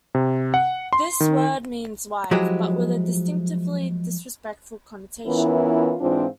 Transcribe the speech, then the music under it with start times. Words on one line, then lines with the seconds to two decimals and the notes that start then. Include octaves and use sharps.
This word means wife, but with a distinctly disrespectful connotation.
0.15 C3
0.54 F#5
0.93 C6
1.20 D#3
2.31 F3 F#3 G#3 E4 F#4 G4
5.27 E3 B3 C#4 E4 F4 A#4
6.01 G#2 E3 C4 D4 F4